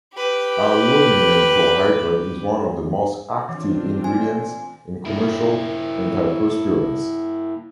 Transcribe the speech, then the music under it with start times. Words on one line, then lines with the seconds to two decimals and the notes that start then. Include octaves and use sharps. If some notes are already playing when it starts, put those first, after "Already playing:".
Aluminium chlorohydrate is one of the most common active ingredients in commercial antiperspirants.
0.13 G4 B4
3.49 E3 C4 D4 F4
4.04 G#5
5.06 A#3 E4